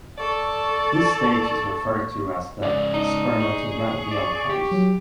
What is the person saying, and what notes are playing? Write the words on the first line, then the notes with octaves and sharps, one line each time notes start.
This stage is referred to as the "spermatogonial phase".
A4 D5 A5 C#6
G#2 C#3 C#5 D5
D#4 A5
G#4 C#6
D5
G4
F#3